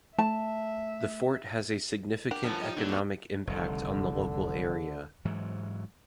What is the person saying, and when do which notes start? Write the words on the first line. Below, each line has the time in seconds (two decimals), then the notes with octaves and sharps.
The fort has a significant economic impact on the local area.
0.18 A3 E5 A5
2.31 D4 G4 A#4 F#5
2.44 G2 F3 B3 C#4 A4
2.61 D#4 G4 D#5
2.77 D3 F#3 A#3 D#4
2.89 C4 F#4
3.47 F1 C2 D3 D#3
5.25 G#2 E3 F#3